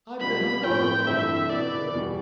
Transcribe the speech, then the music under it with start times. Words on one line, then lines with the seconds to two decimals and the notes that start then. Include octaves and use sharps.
"I bet on Dolokhov!" cried a third.
0.21 B2 G3 C4 F4 B5
0.64 A2 F3 C4 F4 G5
1.07 G2 E3 A3 C4 E4 E5
1.50 B2 B3 E4 D5
1.93 E2 B2 G3